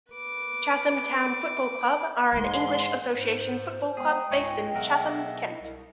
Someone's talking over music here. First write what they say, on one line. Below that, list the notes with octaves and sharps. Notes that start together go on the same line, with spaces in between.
Chatham Town Football Club are an English Association Football club based in Chatham, Kent.
B4 D6
G#2 E3 G#3 C6
G#2 C5
G#3 B3 G#4 G5
C#2 G#2 C#5 D#5 G#5
B1 G#4 A#4 E5 F#5
E4
C2